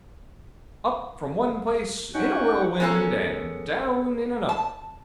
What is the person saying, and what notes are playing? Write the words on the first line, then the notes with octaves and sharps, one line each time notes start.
Up from one place, in a whirlwind, and down in another.
C#4 D#4 F#5 G5 C#6
G#3 B3 C#4 E4 A4 A#4
A5